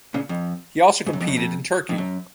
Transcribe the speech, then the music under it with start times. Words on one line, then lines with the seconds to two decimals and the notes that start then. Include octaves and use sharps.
He also competed in Turkey.
0.14 A#2 C#3
0.29 F2
1.06 G#2
1.13 F#2
1.21 F2
1.28 F#2
1.37 F2
1.89 F2
1.98 F#2